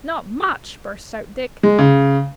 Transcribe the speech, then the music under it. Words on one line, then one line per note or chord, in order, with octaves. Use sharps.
"Not much!" burst out Dick.
G#3
C#3